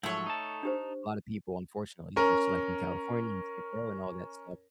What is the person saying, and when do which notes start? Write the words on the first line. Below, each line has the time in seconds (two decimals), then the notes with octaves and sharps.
A lotta people, unfortunately, especially, like, in California, and Skid Row and all that stuff,
0.03 G#2 F3 F#3 A3 C#5
0.26 D#4 A5
0.63 D4 G4 C5
2.16 C#4 A#4